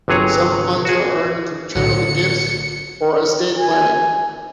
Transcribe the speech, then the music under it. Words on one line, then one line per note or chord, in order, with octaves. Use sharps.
Some funds are earned through charitable gifts or estate planning.
G1 C3 F#3 G#4 C#5 A#5
F#4 G#4
B1 A2 D3 C#7
G#5